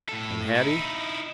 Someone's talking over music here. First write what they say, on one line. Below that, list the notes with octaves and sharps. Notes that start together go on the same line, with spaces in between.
And Hattie?
A2 A4
D#4 E4